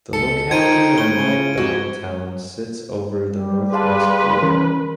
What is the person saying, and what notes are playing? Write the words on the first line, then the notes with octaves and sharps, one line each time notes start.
The locality of Macdonaldtown sits over the north-west border.
C#2 A4 A5 C#7
D#4 F4 C5 G5 G#6 D7 D#7
A2 G7
C#3
F2 F#4 G4
G3
G#4 B4 F5 A5 C6
E3 C#4 A#4